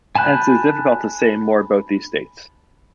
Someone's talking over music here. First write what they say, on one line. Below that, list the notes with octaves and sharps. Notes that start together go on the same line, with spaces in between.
Hence it is difficult to say more about these states.
G#5 A5 B5 F#6 G6